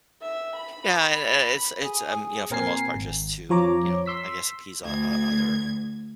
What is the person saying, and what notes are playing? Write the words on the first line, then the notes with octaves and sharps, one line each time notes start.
Yeah, and and it's it's, um, you know, for the most part just to, you know, I guess, appease o o other,
E5
B5
G#4
A#2 C4 A#4 C5 G#5 C7
G#1
F2 F3 C#5 A#5 D6
C6 E6 B6
D2 G#6